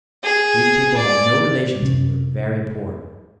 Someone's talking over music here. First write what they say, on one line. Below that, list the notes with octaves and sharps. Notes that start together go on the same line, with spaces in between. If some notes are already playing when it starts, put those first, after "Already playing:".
These people had no relations and were very poor.
G#4
D5
C3 C#4